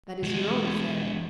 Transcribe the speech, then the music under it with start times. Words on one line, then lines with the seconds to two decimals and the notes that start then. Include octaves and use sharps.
"That is your own affair."
0.23 E2 G#3